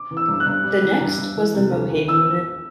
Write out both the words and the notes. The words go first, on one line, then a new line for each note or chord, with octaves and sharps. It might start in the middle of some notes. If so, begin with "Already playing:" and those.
The next was the Mohave unit.
Already playing: D6
E3
E6
G2
F#6
G2
G3
E3
G2
G2
E3
C3
D2
D2
E3 E6